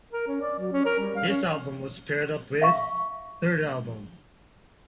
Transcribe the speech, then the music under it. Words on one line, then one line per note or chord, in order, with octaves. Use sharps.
This album was paired up with "Third Album".
A#4
C#4
D5
F#3
C#4
A#4
G3
F5
C#4
E5 F5 C#6